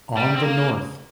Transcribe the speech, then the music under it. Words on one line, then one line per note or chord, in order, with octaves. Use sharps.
On the North.
G3
C4
A#3